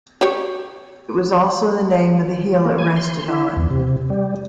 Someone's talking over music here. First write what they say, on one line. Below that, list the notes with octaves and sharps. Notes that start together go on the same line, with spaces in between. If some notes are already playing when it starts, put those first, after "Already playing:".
It was also the name of the hill it rested on.
F#4 G4 C#5
A#3
G#5
C6
E4
E2
C3
G3